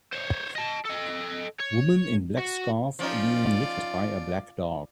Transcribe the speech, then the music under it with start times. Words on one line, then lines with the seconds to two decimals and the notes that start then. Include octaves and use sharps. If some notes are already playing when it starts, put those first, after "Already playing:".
Woman in black scarf being licked by a black dog.
0.13 C5 C#5
0.55 D#5 A5
0.85 A4 D#5
1.59 C#5
2.38 F#4
2.99 F3 C#4 D#4 F4 D5